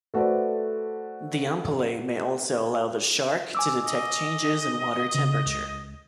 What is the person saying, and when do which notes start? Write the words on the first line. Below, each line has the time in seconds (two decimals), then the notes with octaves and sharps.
The ampullae may also allow the shark to detect changes in water temperature.
0.14 A3 F#4 A4 B4 C5 D5
3.55 G#5 D6 E6
3.84 D#5
5.15 C#3
5.46 C#2